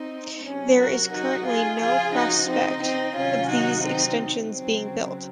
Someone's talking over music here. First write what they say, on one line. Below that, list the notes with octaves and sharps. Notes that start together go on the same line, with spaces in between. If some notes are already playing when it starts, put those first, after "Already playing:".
There is currently no prospect of these extensions being built.
Already playing: C4 D#4
C3 F#3 C#4
F#4 A#4
D#4 F#4
F4 G#4
C#3 F3 F4 G#4
D#4 F#4
C4 D#4
C4 D#4
C3 D#3 F#3 C#4 F4
D#4 F#4
C4 D#4
C#3 F#3 C4